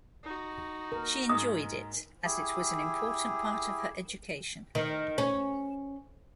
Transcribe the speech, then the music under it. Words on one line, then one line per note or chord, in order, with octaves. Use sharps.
She enjoyed it, as it was an important part of her education.
D#4 F#4
A#4
G#2 D#6
E4 G4 G#4
D#3
C#4